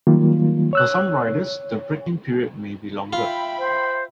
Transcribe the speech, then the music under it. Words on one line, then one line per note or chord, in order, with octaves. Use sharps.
For some riders the break-in period may be longer.
D#3 F#3 G3 A#3 F4
C#5 E6 F#6
F4 E5 G5 B5
C5